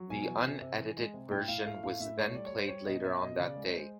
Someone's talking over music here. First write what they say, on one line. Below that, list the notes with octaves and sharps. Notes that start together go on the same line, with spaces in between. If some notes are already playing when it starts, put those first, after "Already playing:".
The unedited version was then played later on that day.
Already playing: F#3
B2 G#5
E3
C3
C3
E3
G#3
C3
A2 G5
A2 F5
A3 F5
A2 F5
A2 E5
A3 C#5
G3 D5
C#5
G3 C5
G3 C#5
B2 D#5
B2 E5
B2 D#5
C#3 D5
G#3
C5
G#3